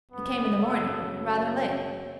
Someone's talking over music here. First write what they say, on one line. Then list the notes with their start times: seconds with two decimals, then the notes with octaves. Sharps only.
It came in the morning, rather late.'
0.13 F#2 C#3 F#3 B3
0.63 A4